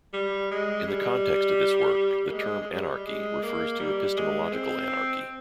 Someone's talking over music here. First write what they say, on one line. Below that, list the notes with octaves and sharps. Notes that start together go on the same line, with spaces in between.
In the context of this work, the term anarchy refers to epistemological anarchy.
G3
G#3
G3
A#3
G#3
G#3
G3
G#3
A#3
G3
G#3
C4